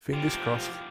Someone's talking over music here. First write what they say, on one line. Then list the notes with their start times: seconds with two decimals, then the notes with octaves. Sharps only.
Fingers crossed!
0.13 F3 G4